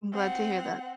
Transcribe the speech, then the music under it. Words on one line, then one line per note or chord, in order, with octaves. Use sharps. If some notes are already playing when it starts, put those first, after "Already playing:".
I'm glad to hear that.
C4 F#5